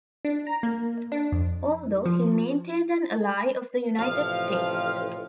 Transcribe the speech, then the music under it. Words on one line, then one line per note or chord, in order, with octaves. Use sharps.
Although, he maintained an ally of the United States.
D4
A#5
A#3
D4
F2
F3
A1 C3 F3 F5